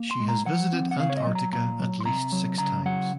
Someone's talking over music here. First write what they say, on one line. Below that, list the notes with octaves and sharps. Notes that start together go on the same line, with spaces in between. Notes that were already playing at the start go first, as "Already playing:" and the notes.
She has visited Antarctica at least six times.
Already playing: A#3
C6
G#3
A#5
F3 F#5
C4
F#5
C#3 F5
C#5
D#5
F#3
A#5
A#2 A#5
F#3
C6
C3 A#5
F#3
C#3 A#5
F#3 F#5